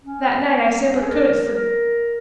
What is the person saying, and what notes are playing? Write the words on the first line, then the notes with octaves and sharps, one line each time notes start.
That night I simply couldn't sleep.
C#4
B3
B3
C#4
G#4
A#4
A#4
A#4